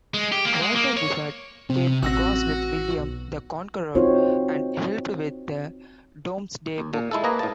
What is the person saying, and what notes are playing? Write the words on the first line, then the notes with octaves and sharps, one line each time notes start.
Walter Giffard came across with William the Conqueror and helped with the Domesday Book.
G#3
G4
A#3
G#3
A#3
C#5
C3 C4
A1 C4 F#4 F#5 E6 F#6 A#6
B1
C4 D#4 F4 F#4 C5 C#5
D#2
A#2
G#3 E4 A4
A#3 B4 D#5 G#5 A#5
A2 A5